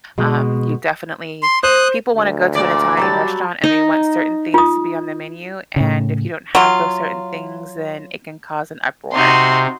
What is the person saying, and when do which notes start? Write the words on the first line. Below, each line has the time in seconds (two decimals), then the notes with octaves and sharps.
Um, you definitely people wanna go to an Italian restaurant, and they want certain things to be on the menu, and if you don't have those certain things, then it can cause an uproar.
0.18 B2 G#3
1.43 C6
1.63 C5 D#6 F#6
2.17 D2
2.55 A#2 D5
2.97 F#3 G3 A5
3.64 D#4
4.54 F4 D#6
5.76 A2 C#3
6.55 F#3 F4
9.14 C3 D#4 F#4 C6